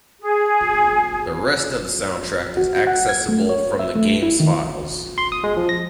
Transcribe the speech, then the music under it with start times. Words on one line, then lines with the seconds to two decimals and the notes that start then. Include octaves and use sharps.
The rest of the soundtrack is accessible from the game's files.
0.20 G#4
2.57 F#4
2.87 F#5
3.09 G#6
3.29 A3
3.49 C#5
3.79 E5
3.96 A3
4.23 E4
4.40 D#3
5.18 C6
5.32 D#6
5.44 G#3
5.57 F3
5.69 A#6